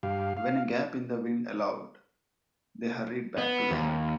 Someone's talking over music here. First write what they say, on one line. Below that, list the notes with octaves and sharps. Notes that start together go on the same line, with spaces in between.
When a gap in the wind allowed, they hurried back to the hut.
G2 G4 F5
F5
B3
D#2